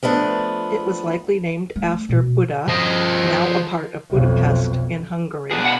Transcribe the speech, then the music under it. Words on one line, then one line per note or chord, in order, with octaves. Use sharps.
It was likely named after Buda, now a part of Budapest, in Hungary.
F3 A3 B3 D4
A3
B2
F3 D#5
B1 F2
B2 D4 G#4
F#5 A5 B5